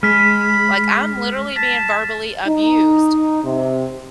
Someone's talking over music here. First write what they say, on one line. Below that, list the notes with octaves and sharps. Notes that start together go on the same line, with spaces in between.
like I'm literally being verbally abused
G#3 B5 F6 B6
A5 B6
D#4
C3